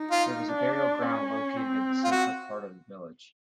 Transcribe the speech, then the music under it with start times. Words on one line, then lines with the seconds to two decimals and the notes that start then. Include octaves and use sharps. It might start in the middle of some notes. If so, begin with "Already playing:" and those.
There was a burial ground located in the central part of the village.
Already playing: D#4
0.11 F4
0.48 D4
1.02 C#4
1.57 C4
2.04 F4
2.11 F#4